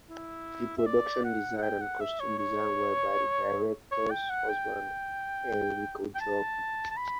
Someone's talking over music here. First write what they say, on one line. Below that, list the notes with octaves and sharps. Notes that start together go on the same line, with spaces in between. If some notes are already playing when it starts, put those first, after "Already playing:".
The production design and costume design were by the director's husband, Enrico Job.
E4
E5
D5
F#5
F#5
G5
F#5
E5
C#5
C#5
C#5
G5
F#5
G5
G5
A5
A5
B5